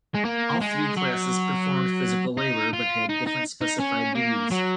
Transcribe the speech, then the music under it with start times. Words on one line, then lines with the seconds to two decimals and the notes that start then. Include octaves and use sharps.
All three classes performed physical labor, but had different specified duties.
0.15 G#3
0.25 A#3
0.61 G#3
0.97 F#3
2.38 D#4
2.73 F4
3.09 D#4
3.27 D#4
3.61 D#4
3.80 C#4
4.15 A#3
4.50 F#3